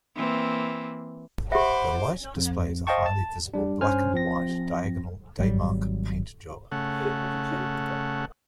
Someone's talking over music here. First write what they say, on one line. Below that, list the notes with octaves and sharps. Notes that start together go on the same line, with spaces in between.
The light displays a highly visible black and white diagonal Daymark paint job.
E3 A#3 C4
G4 C5 E5 F#5 B5 D6
F2
C5 D#5 F5 G5 A5 C#6
A5
G3 D4
G2 C#4 C5 G#5 F6
F3 C4 A#6
G#1 F#3 G3
C#3 A3 F#5